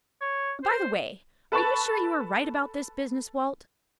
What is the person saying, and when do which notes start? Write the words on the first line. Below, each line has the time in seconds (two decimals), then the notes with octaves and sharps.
"And, by the way, are you sure you are right about this business, Walt?"
0.21 C#5
0.63 C5
1.52 A4 B4 A5 B5 C#6 A6